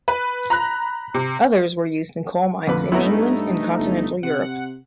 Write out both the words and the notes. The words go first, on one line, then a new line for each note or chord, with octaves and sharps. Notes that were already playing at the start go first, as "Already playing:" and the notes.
Others were used in coal mines in England and continental Europe.
B4
A#5 B5 F#6
C3
A1 F2 D3 B4
G#1 A3 B3 C#4 D#4 E4
G2
G1
C3 F#5